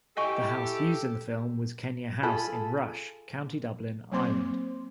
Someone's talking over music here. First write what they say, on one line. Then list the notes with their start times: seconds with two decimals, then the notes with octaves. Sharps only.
The house used in the film was Kenure House in Rush, County Dublin, Ireland.
0.17 E4 G4 A4 D#5 G#5 C#6
2.22 F4 G#4 A4 B5
4.12 F#3 A#3 C4 C5 C6 D6